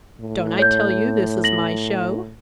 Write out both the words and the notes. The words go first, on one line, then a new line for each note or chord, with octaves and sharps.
Don't I tell you this is my show?
A2
C#5 G6
A#6 F#7